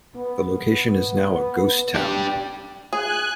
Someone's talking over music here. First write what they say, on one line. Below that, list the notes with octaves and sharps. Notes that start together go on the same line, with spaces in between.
The location is now a ghost town.
B3
D4 G4
G#4 G#5 F#6